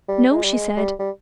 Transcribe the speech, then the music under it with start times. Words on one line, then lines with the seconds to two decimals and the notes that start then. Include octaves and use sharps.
"No," she said.
0.08 G3
0.31 G#3
0.44 G3
0.54 G#3
0.77 G3
0.99 G3